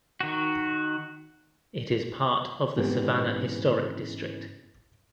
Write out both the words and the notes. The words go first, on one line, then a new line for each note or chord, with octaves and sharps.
It is part of the Savannah Historic District.
D#3 F#4
G#2 C#3 E3 B3 C4 G4